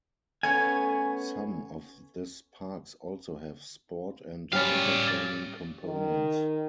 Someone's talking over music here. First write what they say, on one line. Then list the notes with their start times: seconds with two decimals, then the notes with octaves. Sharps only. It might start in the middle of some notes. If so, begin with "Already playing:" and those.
Some of this parks also have sport and entertaining components.
0.43 A3 B3 C#4 G#5
4.53 G3 C#4 D5 F5
5.84 D#3